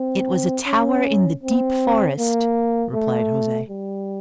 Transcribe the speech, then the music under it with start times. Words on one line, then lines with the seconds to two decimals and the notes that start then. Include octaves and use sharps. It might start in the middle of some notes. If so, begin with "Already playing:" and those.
"It was a tower in the deep forest," replied Jose.
Already playing: C4
0.67 C#4
1.43 C4
2.19 A#3
2.94 A3
3.69 G3